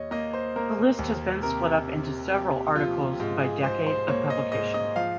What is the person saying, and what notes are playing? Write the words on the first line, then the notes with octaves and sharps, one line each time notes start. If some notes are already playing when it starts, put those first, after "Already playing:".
The list has been split up into several articles by decade of publication.
Already playing: D#2 C#5 D#5
A#3 D#5
C5
A#3 A#4
D#2
C3 A#4
C3
C3 G4
F3 F4
G#2 F4
G#4
G#2 C5
C5
A#3 C#5
D#5
G#2 D#5
D#5
F3 F5